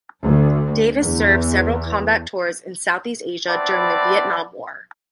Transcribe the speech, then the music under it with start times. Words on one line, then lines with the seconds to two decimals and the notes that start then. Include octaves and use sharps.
Davis served several combat tours in Southeast Asia during the Vietnam War.
0.23 D2
1.01 E2
3.48 B3 C4 E4 D5 A5